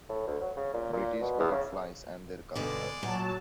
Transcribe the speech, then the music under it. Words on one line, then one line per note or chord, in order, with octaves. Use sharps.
British Butterflies and their Collectors.
A2
D2
F#3
C#3
A#2
A#2
B2
E2
C#3
G2 B2 D3 G#3 D5
A#2 F#3 A5